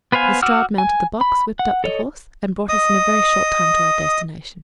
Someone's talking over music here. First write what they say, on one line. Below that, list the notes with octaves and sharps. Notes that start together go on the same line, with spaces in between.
Lestrade mounted the box, whipped up the horse, and brought us in a very short time to our destination.
B3 B4 C5 F5 G#5
F#4 F#5 D6 E6 F6
G#5
B5
F#5
A4 C#5 D#5
D#5 D#6